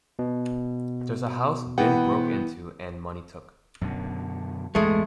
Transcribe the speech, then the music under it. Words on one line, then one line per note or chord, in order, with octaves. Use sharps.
There's a house been broke into and money took.
B2
E3 B3 F#5 G5
F#2 B2 D3
A1 E2 G2 G#3 A3